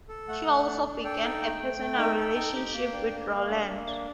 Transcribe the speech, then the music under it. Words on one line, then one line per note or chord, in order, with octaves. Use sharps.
She also began a personal relationship with Rowland.
A4
A3 F#5
A3
D4
D4
A4 G5
D#4
A3
A3
A3
D#4
A4
D#4
G4
A#3
D4
A#3
A#3
D4
A#3
D4